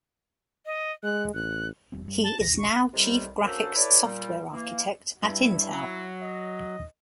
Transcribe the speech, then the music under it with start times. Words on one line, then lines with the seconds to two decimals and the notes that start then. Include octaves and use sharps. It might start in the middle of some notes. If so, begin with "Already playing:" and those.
He is now Chief Graphics Software Architect at Intel.
0.66 D#5
1.04 G#3 F#6
1.35 A1 F#6
1.92 E1 G3 C4
2.05 G2 G3
2.23 A5
2.40 E1 A#1 D#2 A#6
2.57 C#6
2.93 A2 C3 D#3 G3
3.43 F#3 A#3 C#4 D4 A4 C5
3.74 E4 A4 B4 C#5 D5
4.03 A#2 G3
4.51 E3 A#3
5.23 G2 E4
5.73 F#3
6.22 D#5